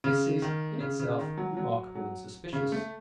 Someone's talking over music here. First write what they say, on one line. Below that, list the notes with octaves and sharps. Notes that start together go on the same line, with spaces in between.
This is, in itself, remarkable and suspicious.
C#3
D#3
C#3
C#3
D#3
F#3
F#3
F#3
C#3
A3